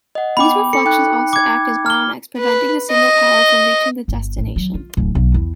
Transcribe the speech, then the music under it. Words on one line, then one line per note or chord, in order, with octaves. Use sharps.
These reflections also act as bottlenecks, preventing the signal power from reaching the destination.
D#5 F#5
B3 G5 B5 D6
A4 C#6 C#7
D#4 G5 F#6
D6 G#6
F6 G7
B4
D#5
G1
A1
F#3
F4
D1
B1
E2